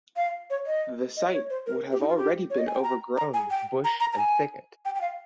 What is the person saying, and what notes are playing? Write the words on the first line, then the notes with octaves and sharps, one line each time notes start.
The site would have already been overgrown with bush and thicket.
F5
C#5
D#5
D#5
C#5
C5
A#4
G4
D#4
F4
G4
C#5
D#5
G#5
G5
A#5
A#5
G#5
G5
A#5
A#5
A#5
G#5
G5
G5
F5